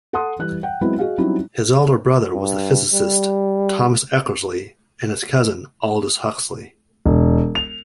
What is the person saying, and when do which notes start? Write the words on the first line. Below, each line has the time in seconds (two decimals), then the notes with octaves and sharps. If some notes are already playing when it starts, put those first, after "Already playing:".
His elder brother was the physicist Thomas Eckersley; and his cousin, Aldous Huxley.
0.13 A4 F#5 A5 C6 D#6
0.39 E3 G3 F#6
0.63 F#5 G5
0.81 F#3 G#3 B3 C4 E4
0.98 F#4 G#4 D#5 F5
1.18 F#3 G3 C4 C#4 D#4 E4
2.34 G2
2.93 G3
7.05 E1
7.55 F7